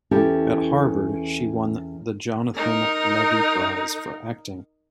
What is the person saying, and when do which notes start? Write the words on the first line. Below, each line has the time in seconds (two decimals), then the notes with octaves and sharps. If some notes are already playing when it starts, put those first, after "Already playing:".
At Harvard, she won the Jonathan Levy Prize for acting.
0.11 E2 C#4 E4 G4 A4
2.55 D#4 A#4